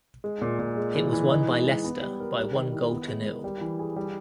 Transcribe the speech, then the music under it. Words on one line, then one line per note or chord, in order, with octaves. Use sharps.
It was won by Leicester by one goal to nil.
G#3
A#2
A#2
G#3
E3
E3
D#4
G#3
G#3
B3
G3
A#4
G3
D#3
E4
B3
G#3
A#4
G3
E3
G#4
G3